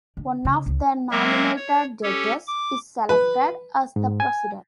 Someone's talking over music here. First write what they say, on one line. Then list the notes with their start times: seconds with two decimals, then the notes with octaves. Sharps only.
One of the nominated Judges is selected as the President.
0.17 D3
0.45 C#3
0.66 C#2
1.11 F#3 G#3 A#3 C4 A#4 E5
1.56 C#5
2.03 C#4 G4 A4 C#5
2.47 D6
3.09 B4
3.96 G#2
4.20 G#5